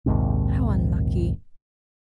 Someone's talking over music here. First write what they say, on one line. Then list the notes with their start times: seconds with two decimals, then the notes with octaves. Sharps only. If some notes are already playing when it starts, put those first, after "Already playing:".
How unlucky!
0.06 A#1 D#2 G#2 C3